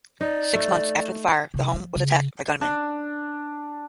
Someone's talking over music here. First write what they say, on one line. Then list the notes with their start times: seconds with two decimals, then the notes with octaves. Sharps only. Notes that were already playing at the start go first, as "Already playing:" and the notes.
Six months after the fire the home was attacked by gunmen.
0.21 D#4 D5
0.55 A3
1.54 C3
1.73 F3
1.95 C#3
2.61 D4